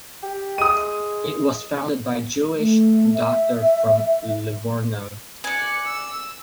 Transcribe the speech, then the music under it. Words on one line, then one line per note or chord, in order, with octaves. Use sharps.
It was founded by Jewish doctors from Livorno.
G4
G#3 D#6 D#7
A3
E5
D5 G#5 F#6 C#7
E6